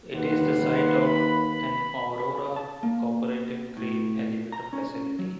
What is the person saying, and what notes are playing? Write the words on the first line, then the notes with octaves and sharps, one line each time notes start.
It is the site of an Aurora Cooperative grain elevator facility.
D#2 G3 B4 F#5 C6
B5
A5
A#3
A2
A#5
C#4
F#3